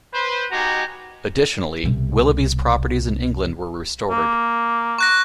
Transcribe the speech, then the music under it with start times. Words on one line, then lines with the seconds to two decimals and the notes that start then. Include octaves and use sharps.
Additionally, Willoughby's properties in England were restored.
0.13 B4 C5
0.51 G#3 D#4 F#4 G4 G#5 A#5
1.83 C2 B2
4.10 A#3
4.98 C#6 F#6 A#6